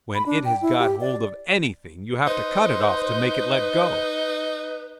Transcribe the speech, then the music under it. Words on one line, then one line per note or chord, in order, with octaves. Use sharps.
When it has got hold of anything you have to cut it off to make it let go!
B5
D4
G5
E4
G4
D5
D#4 B4 C5